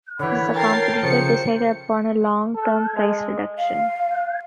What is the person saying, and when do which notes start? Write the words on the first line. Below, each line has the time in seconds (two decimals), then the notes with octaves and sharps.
Has the competitor decided upon a long-term price reduction?
0.19 D3 E3 C#5 F#5 B5
0.56 A4 A#4 G5 A6 C7
1.03 C#3 F3 C5 C#7
2.55 A4
2.95 G#3
3.58 F5